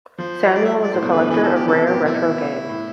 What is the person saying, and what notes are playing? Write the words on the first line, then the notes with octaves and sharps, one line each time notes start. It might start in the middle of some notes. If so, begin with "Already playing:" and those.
Samuel is a collector of rare retro games.
F3 C5
G3 D5
E5
D5
A2 C5
B2
D3 B4
F3
E3 B4
A4
B2
G4
C3 A4
B2
G4
A2
A3 C4 E4
A2